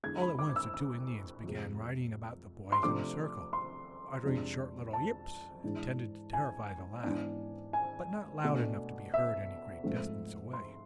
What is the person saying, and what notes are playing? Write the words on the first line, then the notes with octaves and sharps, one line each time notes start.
All at once the two Indians began riding about the boys in a circle, uttering short little "yips," intended to terrify the lads, but not loud enough to be heard any great distance away.
E2 D3 G#3 G#6
B5
D6
D6
E6
E6
F2 C3 G#3
C6
C3 F3 A3 D4 D6
C6
F2 C3 G#3 D4
A5
G#2 E3 G#3 D4
G#5
G#2 E3 B3 D4
G#5
B2 A3 D4
E5
G#2 F3 A3 C4
C6